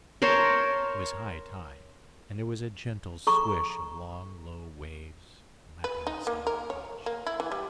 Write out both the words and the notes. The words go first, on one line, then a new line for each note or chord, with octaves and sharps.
It was high tide, and there was a gentle swish of long low waves lapping the sandy beach.
A#4 C5 C#5 A5
A4 A#5 C#6
B4
D#4
A#3
A#4
C#5
A#3
E4
E3
G3